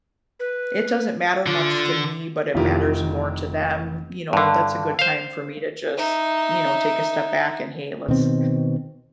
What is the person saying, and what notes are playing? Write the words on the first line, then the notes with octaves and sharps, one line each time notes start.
it doesn't matter much to me, but it matters more to them, you know, that's a good time for me to just, you know, take a step back and, "Hey, let's
B4
D3 F4
F1 D#3 E3 F4 G4 A#4
G2 D3
C5 F5
D#4 E5
B2 D#3 C4